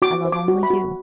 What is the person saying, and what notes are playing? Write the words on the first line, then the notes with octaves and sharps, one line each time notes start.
I love only you.
F#4 D6
C5
D6
F#4
B5
F#4